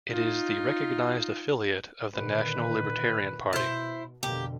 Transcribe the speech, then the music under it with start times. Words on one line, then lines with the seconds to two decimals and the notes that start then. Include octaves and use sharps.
It is the recognized affiliate of the national Libertarian Party.
0.11 D#4 F4
2.15 A#2 D3 D#3 B4
3.53 B2 E4 C5
4.23 F2 B2 D3 A#3 G4